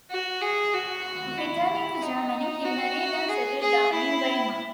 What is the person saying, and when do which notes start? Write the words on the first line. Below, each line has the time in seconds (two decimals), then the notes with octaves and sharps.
Returning to Germany, he married and settled down in Weimar.
0.10 F#4
0.41 G#4
0.73 F#4
1.37 E4
2.01 D#4
2.64 F#4
3.28 G#4
3.61 G#4
3.92 E4